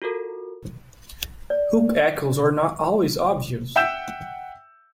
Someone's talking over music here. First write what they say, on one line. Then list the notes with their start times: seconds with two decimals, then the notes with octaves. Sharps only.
Hook echoes are not always obvious.
0.02 F4 F#4 A4 A#4
1.50 D5
3.76 E5 F#5 G5 E6 G6 E7